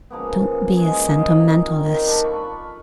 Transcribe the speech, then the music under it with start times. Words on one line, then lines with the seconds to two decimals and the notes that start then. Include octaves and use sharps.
Don't be a sentimentalist.
0.10 C#3 F3 A#3 B3
0.77 G#3 A#3 G#4
1.07 C3 A#3 D#4 F4
1.69 D#3
2.07 D4 A4
2.24 F4 B5 C#6